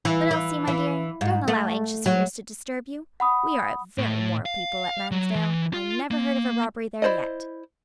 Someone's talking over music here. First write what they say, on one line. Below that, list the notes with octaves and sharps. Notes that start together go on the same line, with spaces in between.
"But, Elsie, my dear, don't allow anxious fears to disturb you; we are a very moral people at Lansdale; I never heard of a robbery there yet."
E3
E3
E3
G#2
A3
F#3
F#5 B5 D#6
A2
F5
F#3
E3
F4
A#3
E4 A4 C5 D5 D#5